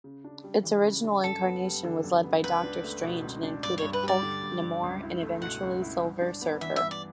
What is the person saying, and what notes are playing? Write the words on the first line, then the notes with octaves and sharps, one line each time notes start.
Its original incarnation was led by Doctor Strange and included Hulk, Namor, and-eventually-Silver Surfer.
C#3
D4
G3
E3
C#3
D4
F#2 A4
B3
G3
D3
F#2
B3
C#2 B4
D4
A3
B2
C#2
D4
G2 D5
G2 C#5
B4
G3 D5
D3
G2
G2
C#2
E4
A3
B2 F#5
C#2
E4
G2
D4
B3
E3 E5
G2 E5
D5